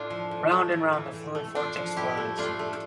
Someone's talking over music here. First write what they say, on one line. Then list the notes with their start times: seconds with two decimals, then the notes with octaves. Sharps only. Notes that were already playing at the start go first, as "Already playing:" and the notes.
Round and round the fluid vortex flies.
Already playing: A2 D4 F4
0.10 F3
0.31 A2
0.52 A3
0.72 A2
0.93 E3
1.13 A2
1.35 A3
1.55 A2 D4 F4
1.77 F3
1.97 A2 E4 G4
2.17 A3
2.38 A3 D4 F4
2.59 A3